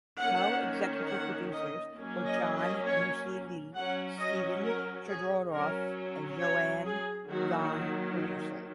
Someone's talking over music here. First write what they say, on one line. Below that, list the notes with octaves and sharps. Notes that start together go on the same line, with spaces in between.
Co-Executive Producers were John Musilli, Stephen Chodorov; and JoAnn Young, Producer.
D#3 A#3 C#4 F#5
F#5
D#5
F#3 A#3 C#4
D#5
D#5
C#5
F#3 C#4 F#5
D#5
A#4
G#4
F#3 C#4 A#4
C#5
G#4
D#3 F#3 A#3 F#4